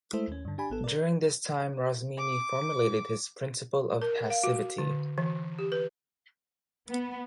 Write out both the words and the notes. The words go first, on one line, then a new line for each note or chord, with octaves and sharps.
During this time Rosmini formulated his "Principle of Passivity".
G#3 A3 E4 A4 C5
D#2 C#4
G2 D3
D4 G4 G#5 B5
G#1 B3 A4
A#4 D5
D6
A#4
F5
F#4
D3
E3
G4
B4
B3